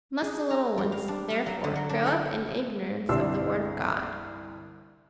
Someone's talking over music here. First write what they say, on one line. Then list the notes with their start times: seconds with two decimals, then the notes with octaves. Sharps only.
Must the little ones, therefore, grow up in ignorance of the Word of God?
0.22 G#4
0.51 A#5
0.78 G3
0.92 F5
1.08 D4
1.30 F5
1.46 F#3
1.64 D3
1.76 F#3
1.89 D4
2.06 A4
3.09 G1 C2 D4 C6 E6